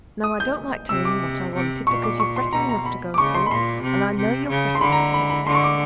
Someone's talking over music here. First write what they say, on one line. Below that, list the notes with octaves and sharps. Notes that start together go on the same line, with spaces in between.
'Now I don't like telling you what I wanted, because you've fretting enough to go through, and I know you'll fret about this.
D#6
G6
C3 E6
D6
C3
A#2 C#6
D6
C#6
C6
B2 A#5
A#5
B5
D6
C#3 C#6
C6
B5
A#2 C6
C3
C3
C#3
C6
D3 B5
A#5
B5
B5
D3 C6
C#6
D6